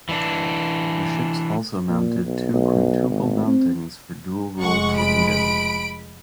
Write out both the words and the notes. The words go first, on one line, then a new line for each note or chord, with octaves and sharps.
The ships also mounted two quintuple mountings for dual-role torpedoes.
E3 D4
A#2
B1
B1
G#1
C4
F1 G#3 F#5 C#6
B5 D7